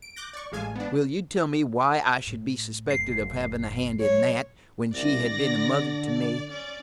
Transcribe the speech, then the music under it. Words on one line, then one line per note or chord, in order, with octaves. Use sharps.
Will you tell me why I should be suspected of having a hand in that, when she had been a mother to me?
D7
D6 F#6 G6 A#6
D5 C#6
A1 G#3 F5 G#5 A5
B3 D4
A2
F#1 D2 C7
F#3 A#3 C#5
C2 D5 A#6
D3
D5
C#4 D5